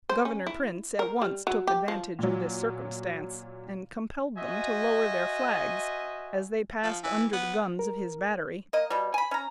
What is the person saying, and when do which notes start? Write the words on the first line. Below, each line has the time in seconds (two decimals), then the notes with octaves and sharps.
Governor Printz at once took advantage of this circumstance, and compelled them to lower their flags as they passed under the guns of his battery.
0.09 C5
0.25 C#4
0.47 E4
0.99 A#4
1.22 G3
1.47 F#3
1.68 G4
1.88 F3
2.19 A#2 F#3
4.36 F#4 C5 D#5 E5 G#5
6.83 F3
7.04 E3
7.33 B3
7.79 A#4
8.73 A#3 D#5
8.90 B2 G3
9.14 G#5 B5
9.31 C#4 A#5